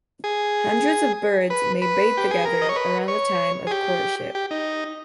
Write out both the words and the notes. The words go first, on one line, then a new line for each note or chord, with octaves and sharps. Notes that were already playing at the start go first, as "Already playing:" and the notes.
Hundreds of birds may bathe together around the time of courtship.
G#4
B4
B4
G4
G#4
A#4
D#5
C#5
B4
C#5
G#4
G4
G4
D#4